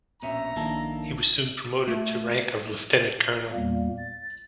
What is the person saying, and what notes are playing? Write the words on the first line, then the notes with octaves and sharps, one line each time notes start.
He was soon promoted to rank of Lieutenant Colonel.
A#1 B2 C#4 E5 A#5
A#1 D#3 A#3 D4 E4 A4 A5
A3
E2 A#2 G3 A#3
A6